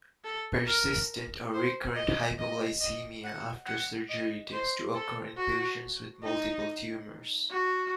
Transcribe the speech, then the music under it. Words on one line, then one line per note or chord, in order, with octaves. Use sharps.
Persistent or recurrent hypoglycemia after surgery tends to occur in patients with multiple tumours.
A4
A#4
C5
D#5
D#5
D#5
F#5
F#5
D#5
C5
A4
F#4
D#4
F#4